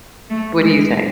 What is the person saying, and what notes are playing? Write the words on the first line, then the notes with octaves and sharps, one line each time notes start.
What do you think?
A3
G#3